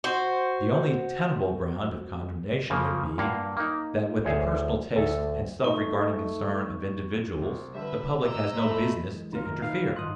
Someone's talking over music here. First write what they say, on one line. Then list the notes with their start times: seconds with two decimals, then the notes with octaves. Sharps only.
The only tenable ground of condemnation would be, that with the personal tastes and self-regarding concerns of individuals the public has no business to interfere.
0.04 F#4 C5
2.70 C#3 F3 A#3
3.18 G2 A#3 F5 F#5
3.57 A#3 D#4
4.24 D2 G#4 C5 C#5
4.96 D2 A4
5.64 A3 D#4 D#5 C#6
7.42 C2
7.74 D3 G3 B4 E5
8.21 C3 D#5 A#5 D6 E6
8.55 A3 C5 B5
9.12 E3 G#3
9.32 D#4 F4
9.45 D#1 A#4
9.62 D#4 B4 F5
9.96 G#1 G2 F4 D#6 F#6